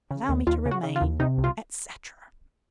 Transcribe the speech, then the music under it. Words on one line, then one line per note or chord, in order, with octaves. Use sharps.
Allow me to remain, etc.
C#3
D#2
D#2 F4
C#3
F#4
C#3
F4
D#2
C3 D#4
C2
F4